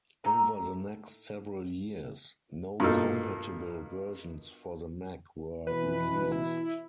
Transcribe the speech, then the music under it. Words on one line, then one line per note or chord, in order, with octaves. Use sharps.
Over the next several years, no compatible versions for the Mac were released.
A2 A#3 D#4 A4 G#5 A#5
G2 B2 F3 A#3 D#4 A4
B2 E3 B4
E4